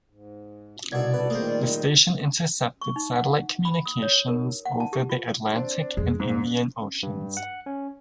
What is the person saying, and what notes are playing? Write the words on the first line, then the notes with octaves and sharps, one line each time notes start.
The station intercepted satellite communications over the Atlantic and Indian Oceans.
G#2
C2 B2 D5 E5 G#6
G3 F#4 A4 B4
A#2 D#3 G3 A3 A#3 G#4 A#4 C5
C#6
D#4
F#5
B5
D#6
C#5
A#4
F#5
A5
G4
F4
C4 D4 D5
F2 G#3
G#2
G2
F#5
C#4